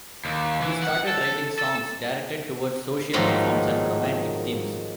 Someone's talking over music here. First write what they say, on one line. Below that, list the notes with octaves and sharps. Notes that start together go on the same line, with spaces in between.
He started writing songs directed towards social reforms and romantic themes.
D#2
E3
F#5
A4
A4
G#2 D#3 F3 F#3 A3 A#3